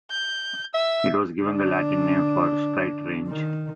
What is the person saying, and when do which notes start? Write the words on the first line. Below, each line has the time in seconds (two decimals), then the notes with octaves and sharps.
It was given the Latin name for "Straight Range".
0.11 G6
0.74 E5 E6
1.41 D3 D4
3.28 D#3